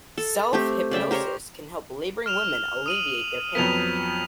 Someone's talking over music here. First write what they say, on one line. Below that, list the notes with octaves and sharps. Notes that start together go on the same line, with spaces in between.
Self-hypnosis can help laboring women alleviate their pain.
A4
A3 C4 G4
C#3 D5 E5 G5
G4 A#4 C5 C#5
F6 E7 F7
D#6 D#7 F#7
F2 F#3 B3 B6 F7